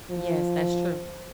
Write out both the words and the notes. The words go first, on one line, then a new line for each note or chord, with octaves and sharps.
Yes, that's true.
F3